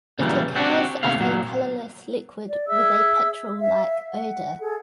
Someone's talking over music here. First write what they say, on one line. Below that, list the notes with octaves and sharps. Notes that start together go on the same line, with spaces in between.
It occurs as a colorless liquid with a petrol-like odor.
A#2 C#3 E3 F#3 G3
C4 D4 F#4 G4
D#2 C3 A3 F5
A#2 F#3
D5
G#4 E5 E6
E5 F5
F#5
G#4 A4